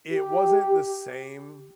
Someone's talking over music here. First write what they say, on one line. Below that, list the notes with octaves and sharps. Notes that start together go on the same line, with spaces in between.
it wasn't the same,
G4